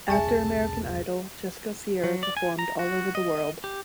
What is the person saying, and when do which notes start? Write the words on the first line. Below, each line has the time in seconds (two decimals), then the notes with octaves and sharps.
After "American Idol", Jessica Sierra performed all over the world.
0.09 E1 C2 C3 G#4 E5 G#5 A5 C#6
2.04 F#3
2.23 D5
2.37 G#5
2.59 A#5
2.79 F#4
3.15 D#5
3.64 G4